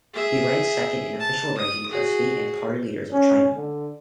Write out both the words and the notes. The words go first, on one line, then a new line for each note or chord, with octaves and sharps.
He ranked second in official rankings of state and party leaders of China.
G#4 E5
A5
D#6
F#4 G#4
C#4
D3